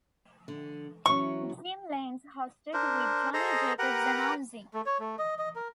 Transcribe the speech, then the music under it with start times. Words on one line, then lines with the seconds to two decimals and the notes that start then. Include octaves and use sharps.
Jim Lange hosted, with Johnny Jacobs announcing.
0.48 D3
1.06 E3 F#3 C#4 C#6
2.73 D4 A#4 C5
3.34 G#4 A4 C5 D#5 A#5
3.79 G4 A#4 B4 F#5 A#5
4.74 A3
4.86 C#5
5.00 A3
5.19 D#5
5.39 D#5
5.56 A#4